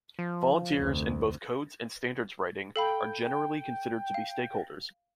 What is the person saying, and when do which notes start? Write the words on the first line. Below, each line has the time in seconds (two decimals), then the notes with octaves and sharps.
Volunteers in both codes and standards writing are generally considered to be stakeholders.
0.19 F3
0.75 F1 D2
2.76 A4 F5 G5 B5
4.14 F5